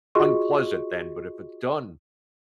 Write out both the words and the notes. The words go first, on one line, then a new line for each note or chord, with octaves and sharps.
unpleasant then, but if it's done
F4 F#4 G#4 D#5 C6 C#6